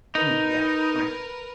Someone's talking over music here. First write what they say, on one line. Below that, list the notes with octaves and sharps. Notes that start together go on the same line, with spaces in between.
Mm, yeah. Right.
D#4 A#4 B4